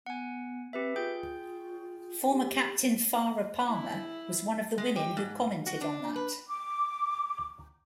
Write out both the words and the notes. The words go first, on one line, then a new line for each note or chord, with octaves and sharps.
Former captain Farah Palmer was one of the women who commented on that.
B3 F#5 G#5
C4 G4 B4 E5
F4 G#4 G5 G6
G4
E4
G#3
G4
G#2
F#4
D4
B4
D6